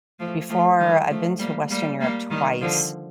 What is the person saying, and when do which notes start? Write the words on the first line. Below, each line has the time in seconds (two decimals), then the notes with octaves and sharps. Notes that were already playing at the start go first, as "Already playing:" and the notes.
Before, I've been to Western Europe twice,
0.19 F3 A3
0.49 F3 A3
0.79 D#3 G3
1.09 F3 A3
1.40 G3 A#3
1.70 G3 A#3
2.00 G3 A#3
2.30 D#3 G3
2.61 D3 F3